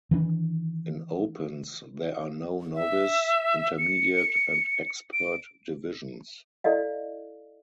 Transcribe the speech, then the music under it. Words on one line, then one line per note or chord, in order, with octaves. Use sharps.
In Opens there are no Novice, Intermediate and Expert divisions.
D#3 E3 B3 D4
E5
C#7
D7
E4 A4 D5 D#5 F5